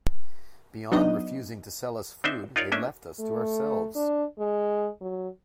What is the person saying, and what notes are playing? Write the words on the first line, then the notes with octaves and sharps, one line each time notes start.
Beyond refusing to sell us food, they left us to ourselves.
F#3 B3 D4 D#4 D#5
C4 D4 D#4 C5 E5
D#4 F4 A#4 C#5 D5
A3 A#3 C#4 D4 D#5 E5
A3
D4
G#3
F#3